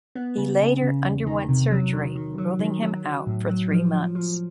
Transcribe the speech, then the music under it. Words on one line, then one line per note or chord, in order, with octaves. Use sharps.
He later underwent surgery, ruling him out for three months.
B3
C#3
C#3
C#3
E2
D#3
C3
F#3
D#3
D#3
F#3
D#3
F#3
F#3
A2
F#3
F3
F3
F3